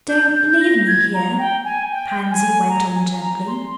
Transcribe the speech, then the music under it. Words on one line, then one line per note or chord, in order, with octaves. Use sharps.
"Don't leave me here," Pansy went on gently.
G6
G6
A#6
G#6
A#5
G5
G#5
G5
G#5
A#5
G#5
A#5
C6